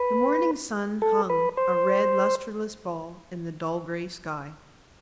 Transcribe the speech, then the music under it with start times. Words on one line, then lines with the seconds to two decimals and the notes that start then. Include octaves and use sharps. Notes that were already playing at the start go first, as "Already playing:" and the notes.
The morning sun hung, a red, lustreless ball, in the dull grey sky.
Already playing: B4
1.02 A4
1.30 B4
1.57 C5